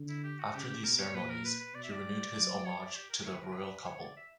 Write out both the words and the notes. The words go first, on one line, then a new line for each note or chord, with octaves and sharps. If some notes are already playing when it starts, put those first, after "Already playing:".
After these ceremonies, he renewed his homage to the royal couple.
Already playing: D3
E4
G4
F#4
C#3 G4
G4
B2 A#4
C#5
A#2 B4
A#4
B4
B4
B2 D5
E5
D5
G3
F#3
C#5
D5
G4
A#4
C#5
B4
A#4
B4
C#5
D5
E5